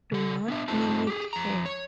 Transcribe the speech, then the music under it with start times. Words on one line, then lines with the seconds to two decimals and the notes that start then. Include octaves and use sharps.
Do not mimic her.
0.12 C#3 A4
0.48 B3 D4 E5
0.68 G2 C4 D#4 F4 A4 A5
1.07 G4 G#4
1.33 F2 A#5
1.66 C#5